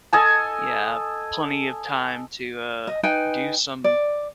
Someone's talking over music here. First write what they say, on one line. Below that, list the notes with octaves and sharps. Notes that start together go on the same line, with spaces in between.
yeah, plenty of time to, uh, do some
A4 D#5 G#5 A5
D#5
D#4 B4 G5 G#5
D5